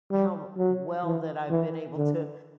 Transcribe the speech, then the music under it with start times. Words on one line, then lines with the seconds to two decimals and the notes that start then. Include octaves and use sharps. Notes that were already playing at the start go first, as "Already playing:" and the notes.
how well that I've been able to
0.11 G3
0.58 F#3
1.04 E3
1.51 E3
1.97 D3